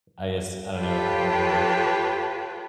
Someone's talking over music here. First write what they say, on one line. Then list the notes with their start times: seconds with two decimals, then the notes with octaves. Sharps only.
I guess, I don't know I I don't know, you
0.78 F4 G4 A4 B4 C#5 G5